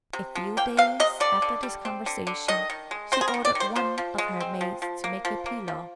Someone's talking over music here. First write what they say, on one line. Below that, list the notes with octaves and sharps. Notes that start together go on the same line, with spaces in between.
A few days after this conversation she ordered one of her maids to make a pilaw.
C3
F3
A#3 G5
C3 F5
C3 D#5
D3 D5
D3
G3
C4
D3
D3
D#3 D#5
D#3
G#3
C4 C5
G#4
A#4
D#3
D5
D#3
C5
F3 C5
F3
G#3
C4
F3
F3
A#3
F3
A#3
F3